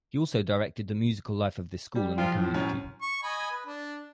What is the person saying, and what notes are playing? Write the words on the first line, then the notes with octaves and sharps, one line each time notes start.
He also directed the musical life of this school and the community.
G3
F3 F4 G5
A2
F#2 C#4
C#6
D#5 G#5 B5
B4
D4